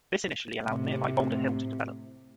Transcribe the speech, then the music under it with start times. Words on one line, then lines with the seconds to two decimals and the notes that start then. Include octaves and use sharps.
This initially allowed nearby Boulder Hill to develop.
0.65 A2 C3